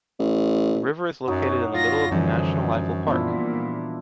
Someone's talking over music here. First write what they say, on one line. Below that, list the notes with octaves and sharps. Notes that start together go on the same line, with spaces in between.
The river is located in the middle of the National Eifel Park.
A1
F#2 F#3 D#4 F#4
F#2 F4 A#6
F#2 D3 E3 F3 G3
A#2 B3 D4 E4 F4